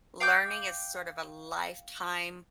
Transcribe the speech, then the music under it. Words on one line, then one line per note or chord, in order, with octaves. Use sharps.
learning is sort of a lifetime,
F5 G5 D6 G6